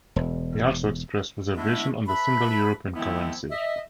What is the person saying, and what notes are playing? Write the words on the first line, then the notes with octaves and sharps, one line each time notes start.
He also expressed reservations on the single European currency.
E1
D3 G#3 A3 B3 D4 E4
B4 E5 A5 B5
D#3 F3 G#3 B3 C4 E4
D#5 E5